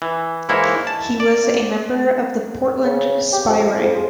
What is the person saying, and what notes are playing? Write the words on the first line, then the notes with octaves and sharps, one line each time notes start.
He was a member of the Portland Spy Ring.
E3
G#2 E3 A#3 E4 C#5
A5
D5
C#3
G4
F2
F2
G#3